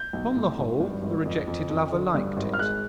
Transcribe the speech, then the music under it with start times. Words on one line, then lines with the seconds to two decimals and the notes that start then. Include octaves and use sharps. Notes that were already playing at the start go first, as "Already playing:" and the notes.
Upon the whole the rejected lover liked it.
Already playing: G6
0.13 B1
0.36 A2
0.58 G#1
0.80 G2
1.02 G#1
1.25 F2
1.47 F2
1.70 F2
1.92 D3
2.15 G2
2.37 G#1
2.54 F6
2.59 G#3 F#6